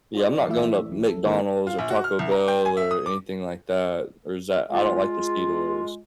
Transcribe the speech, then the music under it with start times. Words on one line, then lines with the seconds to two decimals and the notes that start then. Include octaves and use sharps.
Yeah, I'm not going to McDonald's, or Taco Bell, or anything like that, or it's that I don't like the seed oils.
0.15 F4 C5 D5
0.36 F3 D5
0.48 A2 E3 A3 E4 E5
0.88 C2 E3
1.07 A4
1.25 D#3 A#3 C#4 E4 A4 A#4
1.67 F4
1.78 A#1
1.90 F#4
2.04 F6
2.19 C2
2.31 A#5
2.48 G5
2.65 G#5
2.77 E5
2.91 D#6
3.06 D6
4.70 G#3 F4